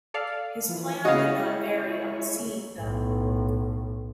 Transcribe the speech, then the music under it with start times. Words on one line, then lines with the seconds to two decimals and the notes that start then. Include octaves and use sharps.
His plan did not vary on seeing them.
0.14 A4 D5 F5
0.68 E3 F3
1.05 C#3 G#3 E4 F#4 C#5 D#5 F5
2.76 B1 A2